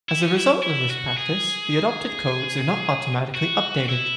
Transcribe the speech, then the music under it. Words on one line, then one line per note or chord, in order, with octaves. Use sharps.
As a result of this practice, the adopted codes are not automatically updated.
E4
C#4
E4
E4
F#4
G#4
F#4
E4